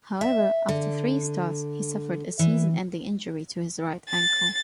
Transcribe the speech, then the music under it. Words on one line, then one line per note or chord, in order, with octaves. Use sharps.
However, after three starts, he suffered a season-ending injury to his right ankle.
E5
D3
E3
A6